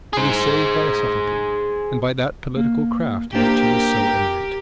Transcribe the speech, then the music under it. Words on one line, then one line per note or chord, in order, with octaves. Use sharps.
He was saved by a subtlety, and by that political craft in which he was so eminent.
G#4 C5
A#3
A#3 D4 G4 A#4 C5